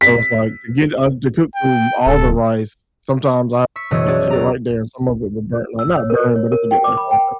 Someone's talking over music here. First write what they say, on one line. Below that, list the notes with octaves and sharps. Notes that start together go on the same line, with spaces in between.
so it's, like, to get, uh, to cook through all the rice, sometimes I have to, like, sit it right there and some of it will burn like, not burn, but it would get, like, hard.
B6
G5
D1 A4
C#6 E6 B6
F#1 B2 E3 C#5 D#5 E6
C#4 F#4 G#4 D5
E1 D5 A#5
E6
C#5
A#4
C#5
A#4
G5
D6
B5
G5